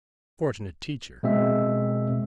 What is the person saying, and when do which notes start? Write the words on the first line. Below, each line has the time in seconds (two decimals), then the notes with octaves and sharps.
Fortunate teacher!
1.23 B2 G#3 C4 E5